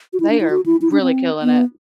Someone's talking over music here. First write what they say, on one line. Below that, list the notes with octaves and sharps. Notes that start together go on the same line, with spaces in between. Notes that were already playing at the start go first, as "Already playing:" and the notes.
They are r really killing it.
F#4
E4
D4
E4
F#4
E4
E4
D4
C4
B3